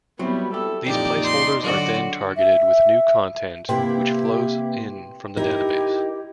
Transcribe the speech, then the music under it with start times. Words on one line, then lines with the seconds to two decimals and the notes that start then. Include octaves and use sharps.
These placeholders are then targeted with new content which flows in from the database.
0.19 F#3 G3 B3 C4 E4
0.54 E4 G4 A4
0.86 F2 A#2 E3 D#4 G4 D5
1.25 C6
1.64 D3 F#3 F#4 D5
2.37 E5
3.69 C3 A#3 E4 G4 B4 G5 C6
5.37 D#4 E4 G4 A#4